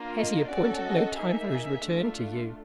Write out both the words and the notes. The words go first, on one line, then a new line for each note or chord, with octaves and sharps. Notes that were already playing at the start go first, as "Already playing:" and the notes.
"Has he appointed no time for his return to you?"
Already playing: A#3 D4 F4
D#5
C#4 F#4 A4 D5
D#5
A#3 D#4 G#4 E5
A3 D4 F4